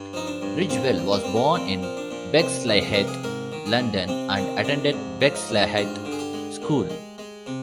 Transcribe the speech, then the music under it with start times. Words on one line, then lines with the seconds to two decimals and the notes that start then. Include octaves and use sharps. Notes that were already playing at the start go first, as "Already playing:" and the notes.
Ridgewell was born in Bexleyheath, London, and attended Bexleyheath School.
Already playing: G2
0.13 F3 D#4
0.27 D4
0.42 G2
0.69 A#2 C4
0.98 G3
1.12 A#3
1.23 G3 C4
1.36 A#3
1.54 A#2 C4
1.83 F3
1.97 D4
2.11 A#2
2.38 C3 C5
2.67 F3
2.81 G#4
2.94 C3 A#4
3.07 G#4
3.23 G#2 A#4
3.52 D#3
3.66 G#4
3.79 G#2
4.08 C3 C4
4.36 D#3 C4
4.64 C3 D4
4.93 G#2
5.21 F3
5.35 D#4
5.49 G#2
5.77 G2 F4
6.05 D3
6.12 G#4
6.19 G4
6.33 G#3
6.62 A#2
6.90 G#3
7.18 G#3
7.46 C3